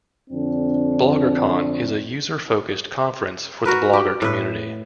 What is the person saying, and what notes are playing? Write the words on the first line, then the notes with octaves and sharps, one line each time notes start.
BloggerCon is a user-focused conference for the blogger community.
F2 D3 C4 D4
F#4 A#4 B4
G4
A2 B4